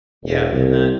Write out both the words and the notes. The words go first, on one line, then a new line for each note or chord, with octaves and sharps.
Yeah, and that
E1
C2